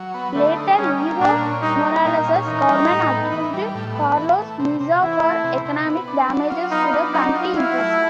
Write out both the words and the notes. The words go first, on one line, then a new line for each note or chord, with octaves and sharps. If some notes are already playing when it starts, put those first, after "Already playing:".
Later, Evo Morales's government accused Carlos Mesa for economic damages to the country interests.
Already playing: F#3
B3
D3 A3
D#4
G3 C#4
A#3
A#2 D4
C#4
G3 D#4
A#3
A#2 D#4
C#4
E3 D#4
G3
A2
B3
E3
G3
A2
B3
E3
A3
C3
C3
E3 E4
A3
C3
C3
B3
D4
F#3
F4
B3 D#4
D4
F#3 D#4
F4
F#3 E4
A3